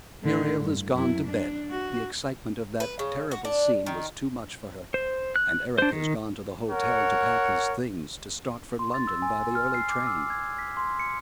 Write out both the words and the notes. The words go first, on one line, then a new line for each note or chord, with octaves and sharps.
"Muriel is gone to bed--the excitement of that terrible scene was too much for her--and Eric has gone to the hotel to pack his things, to start for London by the early train."
A2 D3
G2
F#2 E4
D4
F#4
B4
C#3
F#4
D4
D#3
C5
F#6
D4 C5
D#3
A#4 C#5 F#5
C6
A6
E6
G#5
F6
C7
D6
E6
G#6
B6
C6
C#7